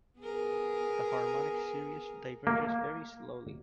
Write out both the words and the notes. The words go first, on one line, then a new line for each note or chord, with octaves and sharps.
The harmonic series diverges very slowly.
B3 G#4 A#4
A#3